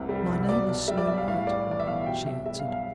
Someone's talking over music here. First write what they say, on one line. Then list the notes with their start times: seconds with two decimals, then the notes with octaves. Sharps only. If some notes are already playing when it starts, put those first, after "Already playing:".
"My name is Snow-white," she answered.
Already playing: F1 C2 C3
0.09 G3
0.29 C2
0.49 B2 D5
0.68 B1
0.88 G3 E5
0.98 D5
1.07 B1 E5
1.18 F5
1.28 A2 F5
1.47 G3 D5
1.67 E3 D5
1.80 E5
1.86 B1 F5
2.06 B2 G5
2.26 B1 E5
2.46 G3 E5
2.59 F5
2.66 B1
2.72 F5